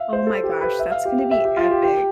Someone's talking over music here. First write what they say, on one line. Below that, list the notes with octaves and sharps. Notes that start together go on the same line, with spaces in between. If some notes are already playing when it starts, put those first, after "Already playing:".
Oh my gosh, that's gonna be epic.
Already playing: E5 F5
C5
A4
G4
B4
E5
F5
G4
G4
E5
G4
F4
G4
G4